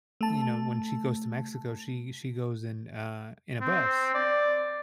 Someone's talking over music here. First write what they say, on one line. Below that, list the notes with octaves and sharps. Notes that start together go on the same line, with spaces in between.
you know, when she goes to Mexico, she she goes in a in a bus
A3 A5
C4
D5